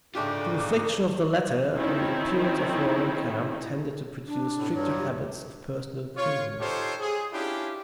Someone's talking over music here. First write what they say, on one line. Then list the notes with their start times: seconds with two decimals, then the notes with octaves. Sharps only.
The reflections of the latter on the appearance of Roaring Camp tended to produce stricter habits of personal cleanliness.
0.15 G#2 C#3 A3 D4 F4 G4 D5 D6
1.77 D#3 F3 C4 C#4 D#4 E4
4.28 D4
4.55 A2
4.73 G2 F#3
4.98 G4
6.17 F4 C#5
6.60 D#4 F4 G4 A4 C5 C#5
7.00 G#4
7.33 C#4 D4 E4 F4 G4